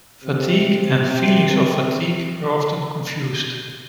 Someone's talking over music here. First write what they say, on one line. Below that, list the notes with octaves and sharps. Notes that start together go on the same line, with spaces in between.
Fatigue and 'feelings of fatigue' are often confused.
C3
C3
C3